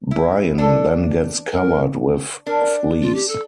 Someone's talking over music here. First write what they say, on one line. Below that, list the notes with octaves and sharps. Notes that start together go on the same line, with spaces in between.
Brian then gets covered with fleas.
E4
D4 A4
A#4
D4 A#4
F4
G4
A4